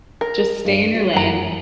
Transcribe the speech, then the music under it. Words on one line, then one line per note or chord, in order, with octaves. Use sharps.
just stay in your lane
A#4
G2
F#4
F#2 F#5 A#5